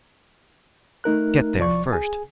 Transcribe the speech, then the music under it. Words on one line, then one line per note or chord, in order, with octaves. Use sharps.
Get there first!
A3 D#4 A#4 F#6
C2 F3 D5 C#6
G#4 G#5